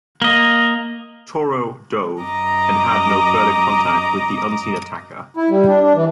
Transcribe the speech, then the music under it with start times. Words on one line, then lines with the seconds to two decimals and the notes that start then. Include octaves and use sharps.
"Toro" dove and had no further contact with the unseen attacker.
0.22 A#3 D#5
2.21 F#2 D#5 A#5 D6
5.37 E4
5.50 G3
5.67 D4
5.81 D4
5.95 E3